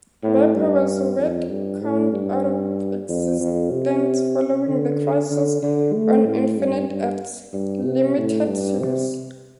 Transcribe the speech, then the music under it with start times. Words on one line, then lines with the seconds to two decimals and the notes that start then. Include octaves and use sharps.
Beppo was retconned out of existence following the "Crisis on Infinite Earths" limited series.
0.23 A2
0.55 G2
1.18 F2
1.50 G2
1.82 A2
2.13 G2
3.09 F2
3.40 F2
3.72 C3
4.68 D3
5.31 D3
5.63 D3
5.95 A3
6.26 A2
6.58 G2
6.90 G2
7.53 G2
7.85 C3
8.17 A2
8.48 G2
8.80 C3